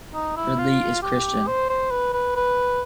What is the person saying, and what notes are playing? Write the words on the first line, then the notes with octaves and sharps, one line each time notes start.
Ridley is Christian.
D#4
E4
F4
G4
C5
C5
B4
B4
B4